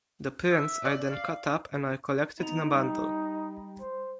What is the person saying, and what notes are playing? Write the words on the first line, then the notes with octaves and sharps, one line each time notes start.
The prints are then cut up and are collected in a bundle.
E5
D5
F5
B3 D#4 A#5
G3
C5